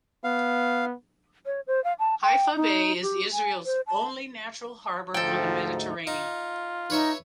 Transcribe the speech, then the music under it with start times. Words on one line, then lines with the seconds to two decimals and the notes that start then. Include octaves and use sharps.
Haifa Bay is Israel's only natural harbor on the Mediterranean.
0.24 B3 F5
1.46 C#5
1.67 C5
1.84 F5
1.99 A5
2.22 G5
2.56 D#4
3.02 G4
3.32 G#5
3.66 C5
3.87 A5
5.14 D2 G#2 F3 D#4 A4 G5
6.07 D#4 F4
6.90 D#4 B4 C#5 E5